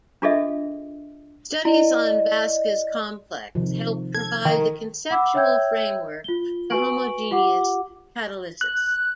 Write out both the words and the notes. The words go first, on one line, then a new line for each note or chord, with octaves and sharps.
Studies on Vaska's complex helped provide the conceptual framework for homogeneous catalysis.
D4 F4 G#4 A4 D#5 E5
E4 D5 D#5
C3 D#3 F3
A4 G#6
D#3
F#5 B5 D6 E6
C#5 E5 G5 E6 G6 G#6
F4 G7
F#4 B4 G#5 C#6 D7 F#7
F4 G4 F#5 D6
F#6